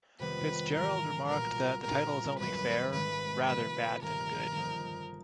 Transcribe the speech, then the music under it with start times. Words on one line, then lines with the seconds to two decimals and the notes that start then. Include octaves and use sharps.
Fitzgerald remarked that the title is only fair, rather bad than good.
0.19 F2 C3 D#3 G3 B3 B4
0.75 G#2 E3 G3 A#4
1.29 B1 A#2 G3 B3 A#4
1.84 A#2 G3 C4 A#4
2.38 G#1 F#2 D#3 F#3 B4
2.92 G#2 D#3 G#3 C4 E4 B4
3.47 C3 F3 A3 B4
4.02 G1 G2 D#3 A#4
4.55 G2 D3 F3 A#3 D#4